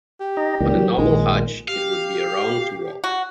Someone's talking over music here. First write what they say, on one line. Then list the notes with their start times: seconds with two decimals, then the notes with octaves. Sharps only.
On a normal Hajj, it would be around to walk.
0.21 G4
0.37 D#4 D#5 A#5
0.60 C#2 E3 A#3 B3 D4
0.75 F#3
0.98 A#1 D#3 F3 G#3 A#3
1.68 G4 F5
3.04 F#4